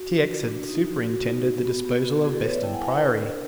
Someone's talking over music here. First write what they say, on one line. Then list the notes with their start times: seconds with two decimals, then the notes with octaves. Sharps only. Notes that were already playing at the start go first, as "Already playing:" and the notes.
T. X. had superintended the disposal of Beston Priory.
Already playing: F#4
0.09 D4
0.28 D4
0.48 D4
0.68 D#4
0.87 F#4
1.07 F#4
1.26 D#4
1.46 B3
1.65 B3
1.85 B3 G4
1.98 F#4
2.05 B3
2.24 E4 F#4 G#4
2.33 G4 A4
2.43 B3 B4 C#5
2.53 D5 E5
2.63 E4 G5 A5
2.73 F#5 G#5
2.82 E4 F5 G5
2.92 B4 C#5
3.02 D4 A#4 C5
3.22 D4